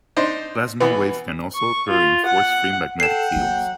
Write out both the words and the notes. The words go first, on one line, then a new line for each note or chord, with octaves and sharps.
Plasma waves can also occur in force-free magnetic fields.
D4 D#4 C5
B2 E3 B3
C#6
F4
F#5
A4 F#5 G5 C7 E7
F#3 A#3